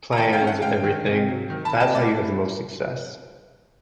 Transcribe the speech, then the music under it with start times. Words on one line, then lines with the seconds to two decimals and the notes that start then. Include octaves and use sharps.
plans and everything, that's how you have the most success.
0.13 A#5
0.17 D#3 G5 A5
0.33 F5 G5
0.40 C#4
0.47 E5 F#5
0.62 G#3 F5 G5
0.84 D#3
1.07 C3
1.28 F#3
1.50 D#3
1.65 A5 B5
1.72 C3
1.80 G5 A5
1.94 A2 D5 E5